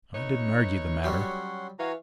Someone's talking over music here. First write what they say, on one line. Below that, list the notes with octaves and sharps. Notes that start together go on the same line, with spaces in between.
I didn't argue the matter.
A3 D#4 B4 C#5
F#3 G3 C#4 F#5 C6
E3 F#4 B4 C#5 F5 G#5 A#5